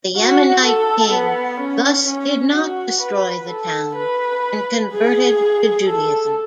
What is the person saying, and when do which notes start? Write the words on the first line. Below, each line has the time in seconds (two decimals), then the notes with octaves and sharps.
The Yemenite king thus did not destroy the town and converted to Judaism.
0.17 F#4
0.65 A4
1.13 B3
1.60 C#4
2.07 C#4
2.55 F#4
3.01 B4
3.49 A4
3.96 B4
4.92 G#4
5.87 A4